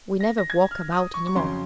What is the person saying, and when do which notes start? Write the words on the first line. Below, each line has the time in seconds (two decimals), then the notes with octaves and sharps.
We never walk about any more.
0.20 A#6
0.38 A#6
0.50 G#6
0.71 F6
0.92 D#6
1.14 C#6
1.27 C#6
1.35 F2 C#3 F#3 C#4 C6